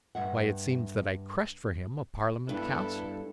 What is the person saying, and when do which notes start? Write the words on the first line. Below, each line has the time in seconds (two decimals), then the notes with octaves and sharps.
"Why, it seems that I crushed for him a parliament councillor."
0.15 G2 E5 F#5
2.49 G2 B3 E4 A4 B4